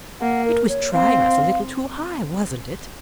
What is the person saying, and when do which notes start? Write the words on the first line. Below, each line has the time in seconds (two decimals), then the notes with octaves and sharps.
It was trying us a little too high, wasn't it?
0.20 A#3 F#5
0.45 A#4
0.69 C#5
0.93 C4 F5